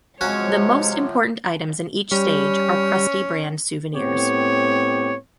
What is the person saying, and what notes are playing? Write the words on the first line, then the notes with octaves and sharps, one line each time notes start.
The most important items in each stage are Krusty-brand souvenirs.
C3 F3 F#3 G#3 C#4 F#4 C#5
G3 C#4
A2 B3 C4 G4 C#5